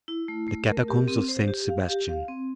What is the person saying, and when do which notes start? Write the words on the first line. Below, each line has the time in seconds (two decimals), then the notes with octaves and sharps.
The Catacombs of Saint Sebastian.
0.08 E4
0.28 A3
0.48 A3
0.68 A#4
0.88 G4
1.08 C4
1.28 C5
1.48 G4
1.69 F5
1.89 G4
2.09 F5
2.28 C4